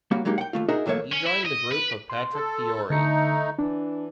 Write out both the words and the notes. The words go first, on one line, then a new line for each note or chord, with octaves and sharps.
He joined the group of Patrick Fiori.
G3 A#3 C#4 F#4
F#3 G#3 A#3 D#4 G4
F#5 G5
D#2 A3 F4
D#4 F#4 G#4 A#4 D#5 E5
E2 F#3 A3 A#3 C#5 E5
C#4
E4
D#5
B4
C6
A4
D3 A3 D#4 C#7
E3 D4